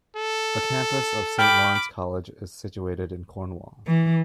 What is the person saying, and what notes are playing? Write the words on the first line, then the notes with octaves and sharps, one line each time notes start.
A campus of St. Lawrence College is situated in Cornwall.
A4
G5 B5 D6 F6
E3